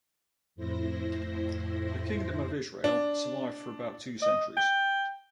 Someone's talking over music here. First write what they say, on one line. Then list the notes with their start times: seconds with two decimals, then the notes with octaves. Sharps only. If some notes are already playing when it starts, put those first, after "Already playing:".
The Kingdom of Israel survived for about two centuries.
0.55 F2 A2 E4 C5 A#6
2.84 D4
4.22 D#5
4.57 G5